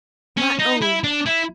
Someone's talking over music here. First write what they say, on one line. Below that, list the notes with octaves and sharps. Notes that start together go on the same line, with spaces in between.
My own!
C#4
D#4
E4
D4
E4